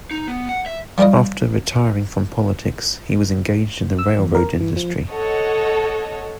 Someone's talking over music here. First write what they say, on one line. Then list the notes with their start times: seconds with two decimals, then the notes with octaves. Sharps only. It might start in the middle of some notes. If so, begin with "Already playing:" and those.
After retiring from politics, he was engaged in the railroad industry.
0.11 D#4
0.28 B3
0.49 F#5
0.66 E5
0.98 F3 G3 F4 D5 D#5
3.99 E6
4.19 E2
4.35 A#4
4.60 E3
4.76 F3
5.11 A4 C#5 D#5 F#5